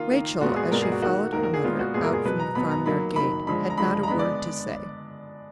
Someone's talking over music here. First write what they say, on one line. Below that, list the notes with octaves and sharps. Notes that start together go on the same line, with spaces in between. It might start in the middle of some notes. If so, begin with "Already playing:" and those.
Rachel, as she followed her mother out from the farmyard gate, had not a word to say.
Already playing: D#3 A#3 F4
D#3 A#3
A#2 G#3 B3 F#4
G#4
A#2 G#3 B3 A#4
G#4
F#4
D#3 A#3 F#4
D#3 A#3 A#4
A#4
G#4
A#2 G#3 B3 F4
F#4
A#2 G#3 B3 G#4
A#4
G#4
B2 F#3 B3 B4
A#5
B2 F#3 B3 B5
A#5
D#3 F#3 A#3 B5
D#3 F#3 A#3 B5
D3 F3 G#3 B5
A#5
D3 F3 G#3 B5
A#5
D3 G#3 B3 B5
D5